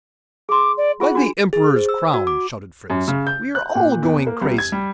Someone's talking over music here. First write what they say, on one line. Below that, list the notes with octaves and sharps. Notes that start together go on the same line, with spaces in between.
"By the Emperor's crown!" shouted Fritz, "we are all going crazy."
G#4 C6 D6
D5
F4 G#4 F#5
D4 F#4
G#4
C5
E6
F#4
D6
F#2
C#3
G6
F#6
A#2
E2
A#3
C2
G#6
G3